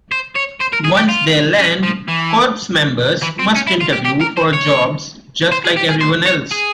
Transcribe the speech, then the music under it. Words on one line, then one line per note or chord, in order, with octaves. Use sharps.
Once they land, corps members must interview for jobs just like everyone else.
C5
C#5
C5
A#4
G#4
G4
F4
C#4
F3
E3
E3
C4
C#4
E4
F4
G4
G4
A#4
C5
C#5
C5
G#4
G4
G#4
C5
C#5
G#4